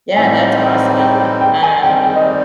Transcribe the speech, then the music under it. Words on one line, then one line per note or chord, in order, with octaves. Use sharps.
Yeah, that's awesome. Um
A2 E3 G3 C4 D#4 G#5
G5
G5
G#5
D#3 G3 C4 D#4 G5
G5
D#5
D5